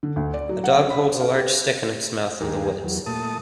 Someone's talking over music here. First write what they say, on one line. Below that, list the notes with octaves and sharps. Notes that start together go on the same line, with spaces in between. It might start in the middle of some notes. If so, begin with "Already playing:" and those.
A dog holds a large stick in its mouth in the woods.
D3
D2
D5
F#3
F#5
C#4
B5
C5
F5
G4
D#2 G4 G#4 A#4
E2 F#3
A#2 A3 A5 D#6